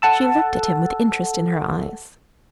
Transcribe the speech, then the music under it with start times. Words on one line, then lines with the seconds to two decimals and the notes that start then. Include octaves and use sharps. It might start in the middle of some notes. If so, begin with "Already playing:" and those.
She looked at him with interest in her eyes.
0.02 A4 F#5 A5 E6